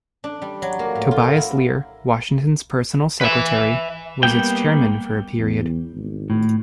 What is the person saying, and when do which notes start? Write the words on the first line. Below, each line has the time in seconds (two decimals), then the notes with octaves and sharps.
Tobias Lear, Washington's personal secretary, was its chairman for a period.
0.24 D4
0.42 G3
0.62 F#3
0.79 A#3
0.95 A2
1.11 F4
1.24 A#4
1.37 E4
3.21 B4 E5
4.23 G3 A#3 B3 G5
5.40 E2
5.92 G#1
6.30 A2